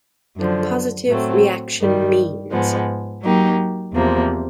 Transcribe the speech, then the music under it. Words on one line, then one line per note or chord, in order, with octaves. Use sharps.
Positive reaction means.
F#2 D3 F3
A2 F#3 A3 C4
G2 D#3 G3
G#2 F3 G#3 B3
F#3 A#3 D#4 G4
E2 C3 F3 A#3